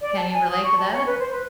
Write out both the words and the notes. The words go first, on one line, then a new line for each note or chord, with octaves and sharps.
Can you relate to that?
D5
A5
G#5
D#6
C#6
A5
C#5
B4
C5
B4